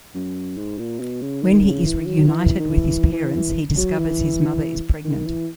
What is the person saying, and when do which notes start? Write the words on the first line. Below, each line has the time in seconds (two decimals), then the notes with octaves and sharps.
When he is reunited with his parents, he discovers his mother is pregnant.
0.14 F#2
0.57 G#2
0.78 A#2
1.00 B2
1.21 C#3
1.42 D#3
1.64 C#3
1.86 E3
2.06 F#3
2.27 E3
2.59 D#3
2.70 E3
3.13 E3
3.35 E3
3.77 F#3
3.98 E3
5.05 D#3
5.26 E3